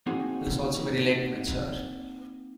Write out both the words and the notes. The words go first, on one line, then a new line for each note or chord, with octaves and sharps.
It is also very late to mature.
A#3 C4 D#4 F#4 G#4 C#5